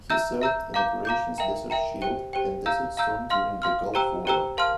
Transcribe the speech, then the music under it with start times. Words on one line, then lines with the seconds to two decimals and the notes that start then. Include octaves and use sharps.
He served in Operations Desert Shield and Desert Storm during the Gulf War.
0.10 E5 A#5 E6 G6
0.42 E5 A#5 E6 G6
0.74 F5 A#5 D6 G6
1.05 F5 A#5 D6 G6
1.38 A#4 E5 G5 A#5
1.70 A#4 E5 G5 A#5
2.02 G4 C5 G5
2.33 G4 C5 G5
2.66 F5 A#5 E6 G6
2.97 F5 A#5 E6 G6
3.30 F5 C6 F6
3.62 F5 C6 F6
3.94 G4 C5 G5 A#5 E6
4.25 G4 C5 G5 A#5 E6
4.57 A#4 F5 A5 C6 F6